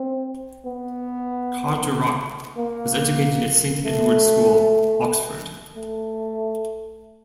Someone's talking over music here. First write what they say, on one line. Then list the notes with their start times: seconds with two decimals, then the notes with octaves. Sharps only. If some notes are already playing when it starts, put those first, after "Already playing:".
Carter-Ruck was educated at Saint Edward's School, Oxford.
Already playing: C4
0.66 B3
2.57 A#3
3.85 A3
5.76 A3